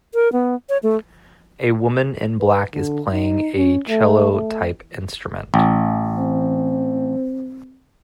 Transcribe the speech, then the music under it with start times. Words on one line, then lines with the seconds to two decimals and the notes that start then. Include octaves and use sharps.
A woman in black is playing a Cello type instrument.
0.14 A#4
0.33 B3
0.69 C#5
0.83 A3
2.40 B4
2.74 D3
3.13 D#4
3.57 C#4
3.89 A3
4.33 A3
5.54 A1
6.18 C4